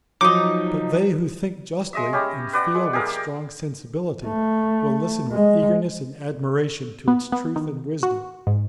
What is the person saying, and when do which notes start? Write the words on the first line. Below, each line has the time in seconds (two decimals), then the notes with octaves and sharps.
But they who think justly, and feel with strong sensibility, will listen with eagerness and admiration to its truth and wisdom.
0.21 F3 F#3 D#4 D#5 D6
1.93 G#3 D#5 E5
2.13 C#4 G4 B5
2.53 B4 D5 F#5
2.75 G#3
2.93 G4 G#4 A#4 F5
4.25 A3
5.32 G#3
7.08 B3
7.32 B3
7.56 D#3
8.03 F#4
8.47 G#2